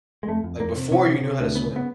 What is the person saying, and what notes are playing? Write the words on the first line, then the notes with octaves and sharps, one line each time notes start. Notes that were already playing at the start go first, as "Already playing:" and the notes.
like, before you knew how to swim,
G#3
F2 A3
F2
F2 A#3
C3
C3 C#4
C3
C3
D2
C#3 B3
C#3 B3